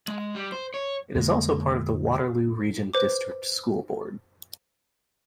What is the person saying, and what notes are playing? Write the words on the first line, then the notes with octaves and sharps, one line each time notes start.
It is also part of the Waterloo Region District School Board.
G#3
G3
C5
C#5
F2 D3 G#3 A#3
B4 C5 D6